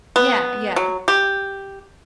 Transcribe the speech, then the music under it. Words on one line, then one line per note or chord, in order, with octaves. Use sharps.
Yeah, yeah.
B3
F#3
G4